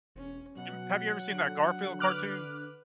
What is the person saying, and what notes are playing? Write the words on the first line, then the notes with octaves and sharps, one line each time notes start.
You have ever seen that Garfield cartoon?
E1 C#4
B2 F#3 F#5
D3
B4 D6 F6 F#6